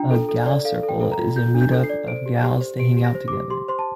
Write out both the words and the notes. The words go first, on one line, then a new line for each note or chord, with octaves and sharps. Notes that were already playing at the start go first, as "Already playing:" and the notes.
A "gal circle" is a meet up of gals to hang out together.
Already playing: D4 F4 G5 A#5
A4
A4
D5
A4 F5
A4
G5
A4
A#5
F4
F4 G6
D4
G6
A4
C7
D5
C5 D7
G4
G4
C5
G4 D7
G4
A#6
C5
D6
G4
G4 C6
C5 C6
A5